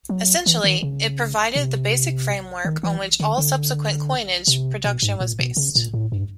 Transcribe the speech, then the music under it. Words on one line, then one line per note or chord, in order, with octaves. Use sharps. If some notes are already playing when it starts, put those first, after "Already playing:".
Essentially, it provided the basic framework on which all subsequent coinage production was based.
F#3
E3
D#3
C#3
C3
D#3
E3
D3
D3
C3
B2
G#2
A#2
B2
C#3
A#2
A2
G2